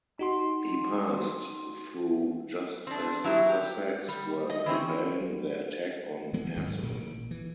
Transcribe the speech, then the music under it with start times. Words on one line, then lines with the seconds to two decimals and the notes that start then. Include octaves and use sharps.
He passed through just as the Cossacks were preparing their attack on Azov.
0.19 D#4 F#4 C6
2.87 C4 D4
3.24 F#3 E4 G4
3.49 G4
4.08 G3
4.50 D#5
4.66 E3 C4 C#4
6.33 E3 G#3 B3
6.56 G#2 D#3 F#3 G#3
6.82 A1 A#2 C#3 A#3
7.31 E3